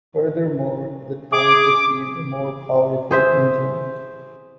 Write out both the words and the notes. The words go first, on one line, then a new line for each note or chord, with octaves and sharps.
Furthermore, the tank received a more powerful engine.
G#4 D6
G#4 C5 E5